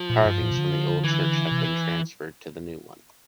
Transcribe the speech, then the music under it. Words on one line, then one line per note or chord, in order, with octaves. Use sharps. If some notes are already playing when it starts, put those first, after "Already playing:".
Carvings from the old church have been transferred to the new one.
Already playing: F3
A#2
G2
A2
C3
D3
E3
C3